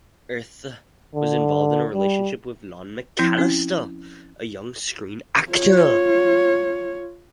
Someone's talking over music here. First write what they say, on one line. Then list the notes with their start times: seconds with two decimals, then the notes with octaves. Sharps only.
Eythe was involved in a relationship with Lon McCallister, a young screen actor.
1.15 D3
1.93 G3
3.19 F3 C4 E4
3.37 C4 C#4 E4
5.50 F4 C#5